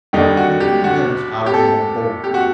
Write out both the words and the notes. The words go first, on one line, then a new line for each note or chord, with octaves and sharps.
In a few minutes I was on board.
D#2 D3 G3 D#4
F#4
G4
F#4
G4
A4
G4
F#4